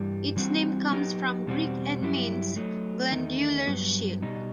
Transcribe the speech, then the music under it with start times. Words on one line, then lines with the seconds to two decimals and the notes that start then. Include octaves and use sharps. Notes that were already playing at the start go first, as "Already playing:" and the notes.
Its name comes from Greek and means "glandular shield".
Already playing: G2 E3 G3
0.36 E3 G3 C4 F#4
0.91 F#3 B3 D#4 G4
1.46 E2 B2 G3 C4 F#4
2.01 G2 F#3 A3 E4 G4
2.56 F#3 A3 D#4
3.12 E2 D#3 A3 D#4
3.67 G2 F#3 B3
4.22 B2 G3 D#4